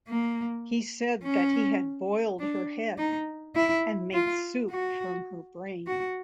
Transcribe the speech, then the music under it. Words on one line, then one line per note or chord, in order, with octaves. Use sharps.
He said that he had boiled her head and made soup from her brain.
A#3
C#4
D4
D#4
E4
F4
F#4
F#4